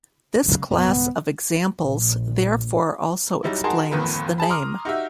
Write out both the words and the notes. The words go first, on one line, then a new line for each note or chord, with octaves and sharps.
This class of examples therefore also explains the name.
C#3 F#3 G#3
F2 A#2 B3
C2 G#2 D3
A#1
F#3 G3 D#4 E4
D#4 F#4 G#4 A#4 A5 C6
G1 F2 A#2 D#3 B4 B5
G#4 A5 B5
A#5 C6 D6 D#6 F6
D#4 F#4 G4 E5